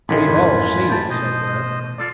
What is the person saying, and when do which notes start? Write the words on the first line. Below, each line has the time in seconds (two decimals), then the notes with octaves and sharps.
"We've all seen it," said Bert.
0.09 A1 A2 D#3 F4 G#5 B5
0.24 F2 G#2 F#3
0.89 G4 A5
1.10 B2 C5 D#5
1.98 F4 A4 D5